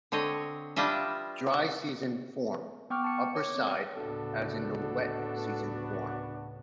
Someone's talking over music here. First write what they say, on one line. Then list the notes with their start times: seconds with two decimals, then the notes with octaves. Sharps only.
Dry-season form: Upperside as in the wet-season form.
0.12 D3 C4 C#5 D#5
0.76 G3 D4 F4 B4 D#5 E5
2.90 B3 G5 C#6 D6 F6
3.04 A5 C#7
3.35 C#5 D6
3.55 C4
3.96 D2 A2 C#3 B3 D4 F#4 A4